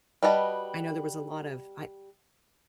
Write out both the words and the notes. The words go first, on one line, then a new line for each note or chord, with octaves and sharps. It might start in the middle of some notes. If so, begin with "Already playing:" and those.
I know there was a lot of I
G3 F#4 B4 D#5 A5